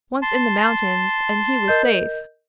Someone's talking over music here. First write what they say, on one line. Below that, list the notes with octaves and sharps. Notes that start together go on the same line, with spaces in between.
Once in the mountains and he was safe!
A5 C6
A#4 D#5 G6